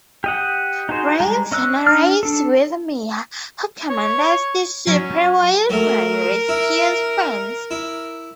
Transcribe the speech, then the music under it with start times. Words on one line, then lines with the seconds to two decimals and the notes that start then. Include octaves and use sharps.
Brian soon arrives with Mia, who commandeers the Supra while Brian rescues Vince.
0.24 G4 D#5 F#5
0.89 D#4 F#4 G#4 C5
1.20 G3 G#3 A#5
1.51 C#4 D#5 E6 F#6
1.87 D4 F6
2.23 D4 A4
3.90 C#5
4.87 F#3 C#4
5.69 F#3 A3 A#4
6.49 E4
7.71 E4